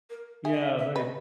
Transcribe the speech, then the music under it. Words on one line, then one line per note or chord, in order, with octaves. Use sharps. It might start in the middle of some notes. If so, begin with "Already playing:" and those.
Yeah, they
A#4
G#4 E5
D#5
E5
E5
B4 D#5